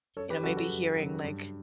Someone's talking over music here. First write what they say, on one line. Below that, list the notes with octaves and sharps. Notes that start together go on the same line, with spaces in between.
you know, maybe hearing like
F#2 A4 C#5
G4 B4
C#3 F#3 F#4 A4
F#4 A4
F#2
C#3 F#3
G2